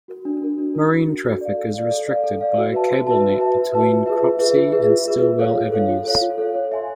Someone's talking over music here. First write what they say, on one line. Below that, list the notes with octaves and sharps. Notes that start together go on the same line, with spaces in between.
Marine traffic is restricted by a cable net between Cropsey and Stillwell Avenues.
F#4 A#4
D4
F#4 A#4
D4
F#4 A#4
D4
F#4 A#4
A4
D5 F5
A4
D5 F5
A4
D5 F5
A4
D5 F5
F#4
B4 E5 A5
F#4
B4 E5 A5
F#4
B4 E5 A5
F#4
B4 E5 A5
F4
G#4 B4 E5
F4
G#4 B4 E5
F4
G#4 B4 E5
F4
G#4 B4 E5
F4
A4 C#5 F5
F4
A4 C#5 F5
F4
A4 C#5 F5
F4
A4 C#5 F5
C#5
E5 G#5 C6